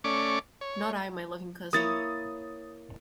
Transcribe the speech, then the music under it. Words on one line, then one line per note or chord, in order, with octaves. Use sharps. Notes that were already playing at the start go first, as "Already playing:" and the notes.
Not I, my loving cousin!
A3 C#4 D5 C#6 D6
C#5
A#3 E4 C#5 D#6 A6